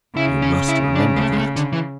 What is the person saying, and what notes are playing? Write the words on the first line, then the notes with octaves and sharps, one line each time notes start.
You must remember that....
C#3 E4
C#4
E4
D4
G#3
A3
G#3
A3
D3
E3